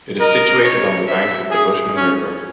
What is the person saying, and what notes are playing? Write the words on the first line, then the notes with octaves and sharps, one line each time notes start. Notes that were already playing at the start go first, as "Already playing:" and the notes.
It is situated on the banks of the Bushman River.
A#4 D#5
C#5
E5
G#4
C#4